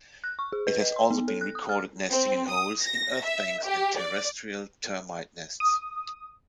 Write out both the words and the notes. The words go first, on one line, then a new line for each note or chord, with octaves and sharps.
It has also been recorded nesting in holes in earth-banks and terrestrial termite-nests.
F#6
C#6
G#4
B4
D#5
C6
B3
A4
F#6
D#6
F6
C4
D#6
A#6
E5
G4
D5
D#6